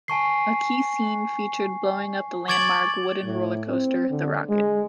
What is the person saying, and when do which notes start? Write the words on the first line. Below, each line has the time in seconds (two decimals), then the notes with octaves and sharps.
A key scene featured blowing up the landmark wooden roller coaster"The Rocket".
0.08 G#5 A5 C#6 C7
2.48 C#6 D6 G#6 A6 D7 F#7
3.24 A2
3.68 C4
4.11 D3
4.50 G#3